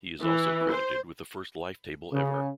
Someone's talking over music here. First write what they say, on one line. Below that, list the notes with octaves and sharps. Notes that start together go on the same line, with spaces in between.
He is also credited with the first life table ever.
E3
C5
C#3